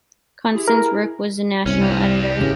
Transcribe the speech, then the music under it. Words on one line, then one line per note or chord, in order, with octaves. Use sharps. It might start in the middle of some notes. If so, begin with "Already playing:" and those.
Constance Rourke was national editor.
E4 G4 G#4
A#4
C2 C3 C#4
G4 F5
A1 C#3 E3